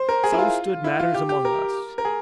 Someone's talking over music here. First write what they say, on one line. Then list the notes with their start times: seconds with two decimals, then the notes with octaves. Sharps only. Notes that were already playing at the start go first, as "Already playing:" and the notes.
So stood matters among us.
Already playing: C5
0.09 A#4
0.24 G#4
0.32 E4
0.39 F4
0.84 E4
1.00 F4
1.14 G4
1.29 G4
1.45 A#4
1.98 A#4
2.05 G#4